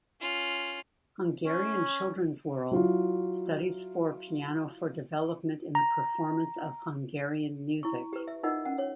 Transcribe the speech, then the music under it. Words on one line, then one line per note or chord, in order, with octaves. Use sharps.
"Hungarian Children's World", "Studies for Piano for Development in the Performance of Hungarian Music".
C#4 F4
C#4
F#3 E4 F4
A#5
E4 C#6
G4 B4
E5
D#4 F4 A#4 D#5 F#5
C#4 F#5
C#5